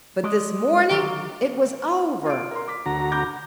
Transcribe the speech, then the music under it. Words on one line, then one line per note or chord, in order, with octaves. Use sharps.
But this morning it was over.
G#3 D5 D#5
D3 D#3 F#3
F4 D7
A#4 C6
D6 B6
D2 F#4 A#5
B5 D6 G6